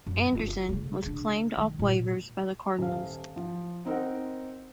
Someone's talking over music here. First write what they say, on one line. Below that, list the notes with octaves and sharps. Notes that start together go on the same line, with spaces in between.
Anderson was claimed off waivers by the Cardinals.
F#2
F#1 F4
C#3 A3
C#3 D4
D#3 G#3
A#2
D#1 F5
F3
C4 D#4 A#4 F#5